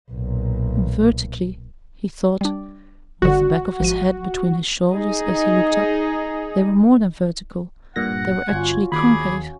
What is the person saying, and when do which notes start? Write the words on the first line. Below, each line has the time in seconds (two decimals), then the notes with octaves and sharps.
Vertically, he thought--with the back of his head between his shoulders as he looked up--they were more than vertical--they were actually concave.
0.12 B1 A#2
2.41 G3 D4
3.22 G1 D3 F#4
3.80 G#1 F3 D#7
4.91 D#4 G#4
7.96 G2 A#2 F#5 A#6
8.48 G1 C#4 F4 F#4 G#6
8.92 D#2 G#4 B5 D6